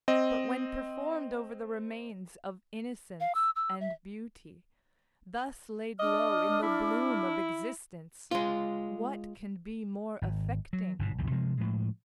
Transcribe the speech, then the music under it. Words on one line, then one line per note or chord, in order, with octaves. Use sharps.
But when performed over the remains of innocence and beauty, thus laid low in the bloom of existence, what can be more affecting?
C4 D#5
F5
E6
E6
E5
D4 D#5 D6 F6
E4
G#3 F4
G#1
F#3
G1 G#2 B2
B1 E2 A#2 D#3
C3 F3 G#3
A2 F3 G#3